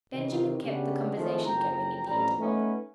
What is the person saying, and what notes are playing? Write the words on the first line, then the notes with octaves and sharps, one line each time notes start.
Benjamin kept the conversation going in the interval.
C3 D#3 E3
C#3 B3 C#4 D4 F#4 G4
D#3 F3 G#3 A3 C4 E4
F#1 F2 G5 A#5
A1 F2 B2 G3 A#5
A3 B3 C#4 D#4 B4 E5